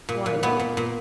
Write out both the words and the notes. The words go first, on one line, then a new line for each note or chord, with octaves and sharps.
"Why not?"
A#2
A#2
A#2 B3
A#2
A#2